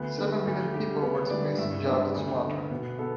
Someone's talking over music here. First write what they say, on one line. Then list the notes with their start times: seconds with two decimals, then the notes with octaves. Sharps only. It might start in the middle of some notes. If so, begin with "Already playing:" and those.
Seven million people were displaced on Java and Sumatra.
Already playing: D2 B3 B4
0.18 D3 A3 B3 B4
0.46 D2 G4
0.74 D3 G3 G4
1.02 D2 B3 B4
1.30 D3 G3 D4 D5
1.58 G2 E4 E5
1.86 G3 B3 D4 D5
2.15 D2
2.42 D3 B3
2.70 B2 B3 B4
2.98 B3 A4